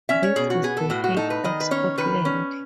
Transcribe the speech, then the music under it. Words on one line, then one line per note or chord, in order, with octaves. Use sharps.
This is the height of Scotland.
C#4 E5
C#5
B2 G#4
F#4
B3 G#4
A4
A2 F#4
F#4
D#4 A4
B4
D#3 D#5
B4
C#4 C#5
D#3 B4
C#4